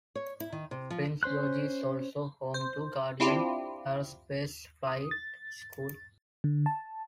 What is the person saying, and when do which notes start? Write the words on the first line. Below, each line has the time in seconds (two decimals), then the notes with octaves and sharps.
Prince George is also home to Guardian Aerospace Flight School.
0.15 C#5
0.40 E4
0.52 D#3
0.71 C3
0.90 F3
1.23 C#4 C5 C6 F#6
2.54 C5
3.20 C4 D4 E4 F4 G4
4.87 D#6
5.11 A6
6.44 D3
6.66 A5